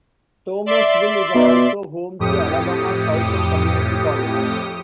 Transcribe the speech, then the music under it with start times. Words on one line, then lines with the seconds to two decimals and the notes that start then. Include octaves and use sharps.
Thomasville is also home to Alabama Southern Community College.
0.66 D5 E5 C6
1.35 B2
2.19 F2 A2 G4 D#6 C#7